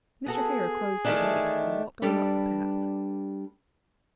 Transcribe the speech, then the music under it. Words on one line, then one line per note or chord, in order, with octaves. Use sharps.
Mr. Hare closed the gate and walked on up the path.
B3 F#4 G#4 A4
D#3 E3 A3 D4 E4
G3 D4 G4 A4 B4